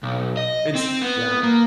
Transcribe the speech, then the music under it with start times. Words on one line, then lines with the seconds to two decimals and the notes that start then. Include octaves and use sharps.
It's yeah.
0.03 B1
0.37 D#5
0.75 C4
1.02 B3
1.43 A#3